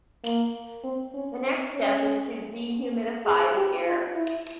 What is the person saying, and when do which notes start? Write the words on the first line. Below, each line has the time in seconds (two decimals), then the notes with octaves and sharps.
The next step is to dehumidify the air.
0.24 A#3
0.84 C4
1.14 C#4
1.44 C4
1.74 C#4
3.26 G#4
3.56 G4
3.86 F4
4.16 E4